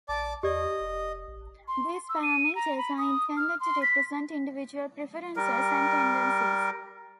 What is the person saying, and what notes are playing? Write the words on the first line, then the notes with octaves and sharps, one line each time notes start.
These parameters are intended to represent individual preferences and tendencies.
A#1 D5 A5 D6
E2 G4 D5 D#5
F1
A1
C6
E6
D#7
A#5
B5
D#6
F6
C6
B6
G3 A#4